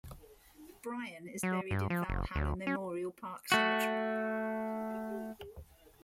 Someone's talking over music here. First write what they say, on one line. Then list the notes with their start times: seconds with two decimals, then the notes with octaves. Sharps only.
Bryan is buried in Valhalla Memorial Park Cemetery.
1.43 F#3
1.71 G2
1.90 F3
2.09 F#1
2.35 D2
2.67 C#4
3.52 A3 F#4